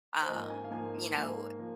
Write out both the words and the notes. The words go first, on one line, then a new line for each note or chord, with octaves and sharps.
um, you know,
C5
G#2 F3 A#3 D#5
G#5
F5
G#2 F3 A#3 G#5
G#2 F3 A#3 G#5
F3 A#3